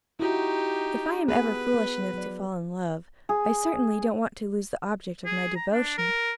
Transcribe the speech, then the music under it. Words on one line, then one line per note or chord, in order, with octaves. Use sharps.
"If I am ever foolish enough to fall in love, I certainly don't want to lose the object of my devotion."
D#4 E4 F#4 G4
B3 G#4 B4
B3
F#3 D5
G#4
G#4
A#5
D4
A#4